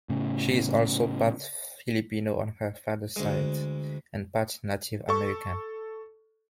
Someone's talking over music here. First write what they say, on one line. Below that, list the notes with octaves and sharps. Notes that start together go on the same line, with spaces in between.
She is also part Filipino on her father's side and part Native American.
A2 C#3
D2 G#3
A4 C#6